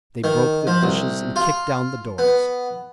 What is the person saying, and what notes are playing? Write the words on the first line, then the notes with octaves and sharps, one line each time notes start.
They broke the dishes and kicked down the doors.
D#3
F3
C2
F4
B3